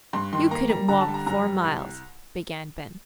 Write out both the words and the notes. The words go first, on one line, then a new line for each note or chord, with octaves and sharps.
"You couldn't walk four miles," began Ben.
G2 C6
D#3 C6
A#3 A#5
G3 A#5
D3 A#5
A5
G3
A#5
F#2 A#5
G3
C2